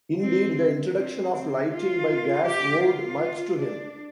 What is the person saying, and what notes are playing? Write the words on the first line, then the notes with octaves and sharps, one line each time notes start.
Indeed, the introduction of lighting by gas owed much to him.
C4
C4
C4
F4
G4
F4
D4